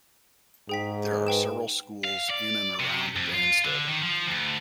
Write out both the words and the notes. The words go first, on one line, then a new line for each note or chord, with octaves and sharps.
There are several schools in and around Banstead.
G#2 G#4 G5 B6
B4 G5 E7
F5
D5
C3
F2
F4
D3
D#3
F3
D2